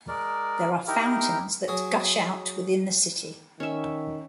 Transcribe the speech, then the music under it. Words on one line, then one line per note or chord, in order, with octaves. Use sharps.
There are fountains that gush out within the city.
G#3 A#4 D5
D#4 E4 G4 A#4
F#3 G#4
D#3 C#4 E5